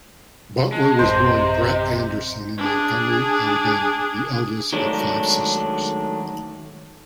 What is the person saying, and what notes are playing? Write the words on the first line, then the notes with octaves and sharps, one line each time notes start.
Butler was born Brett Anderson in Montgomery, Alabama, the eldest of five sisters.
G#3 A5
A1 F#2 C3 C5 D#5
D4 G#4
D#3 F#3 G#3 A3 D4